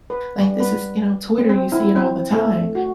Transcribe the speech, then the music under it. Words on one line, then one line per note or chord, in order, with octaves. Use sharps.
Like, this is, you know, on Twitter, you see it all the time.
B4
G3
B4
C4
C4
E4
C4
A3
F#4